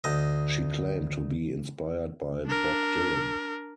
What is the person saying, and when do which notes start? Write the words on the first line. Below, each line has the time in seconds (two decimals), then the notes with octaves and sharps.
She claimed to be inspired by Bob Dylan.
0.04 D2 D#5
2.46 D4 A#4